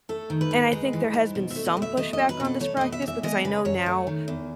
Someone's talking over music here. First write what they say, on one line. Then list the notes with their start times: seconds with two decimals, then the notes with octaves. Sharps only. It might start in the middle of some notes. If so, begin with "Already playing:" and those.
And I think there has been some pushback on this practice because I know now
0.09 A3 A4
0.30 D#3
0.41 B4
0.51 G#2
0.73 G#3
0.93 E3
1.14 G#2
1.35 B2
1.51 E5
1.56 A3
1.66 D#5
1.77 B2
1.82 E5
1.97 A3 D#5
2.13 D#5
2.18 F#3
2.29 B4
2.40 B2 A4
2.60 A3 C#5
2.77 B2 D#5
2.92 E5
3.02 E2
3.08 E5
3.23 G#3 D#5
3.45 C#3 B4
3.65 F#2 C#5
3.86 A3
4.07 D#3
4.28 E2